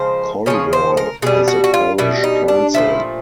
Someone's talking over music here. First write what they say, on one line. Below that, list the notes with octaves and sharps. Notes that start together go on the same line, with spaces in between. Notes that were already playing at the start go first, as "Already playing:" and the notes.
Colwall has a parish council.
Already playing: C#3 F3 G#3 C5
C#3 F3 G#3 C#5
C5
A#4
B2 G3 G#4
F#4
F#4
F4
B2 G3 E4
D#4
D4
A#2 F3 A3 E4